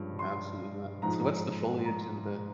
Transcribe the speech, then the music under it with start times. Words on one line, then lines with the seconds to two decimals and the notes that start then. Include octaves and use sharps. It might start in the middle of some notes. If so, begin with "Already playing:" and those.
Absolutely not. So, what's the foliage and the
Already playing: G2 F3 G#3 C#4
0.19 C6
1.02 G#2 F3 G#3 A#5
1.85 A#5